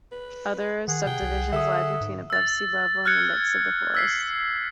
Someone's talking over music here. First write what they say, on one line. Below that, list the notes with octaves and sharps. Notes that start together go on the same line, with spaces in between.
Other subdivisions lie between above sea level in the midst of the forests.
B4
D#3 G#4 F#5
C3 G5
C2
D3 A4 E5 D#6
G#2
E6 A6
F6 F#6 G#6 C#7
E6 B6 C7